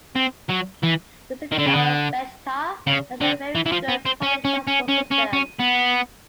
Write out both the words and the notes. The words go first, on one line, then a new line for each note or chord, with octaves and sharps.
The City of Vechta has a very good public transport system.
C4
F#3
E3
D#3
D3
C#3
D3
C#3
D3
E3
E3
F3
B3
C4
C#4
C#4
C#4
C#4
C#4
C#4
B3